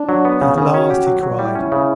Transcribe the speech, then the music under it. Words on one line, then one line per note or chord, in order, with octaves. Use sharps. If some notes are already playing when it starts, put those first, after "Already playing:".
"At last!" he cried.
Already playing: D4
F#3
B3
C#3
C#3
C#4 F#4
G4
F#3
F#3
G3 E4
C#4
C#3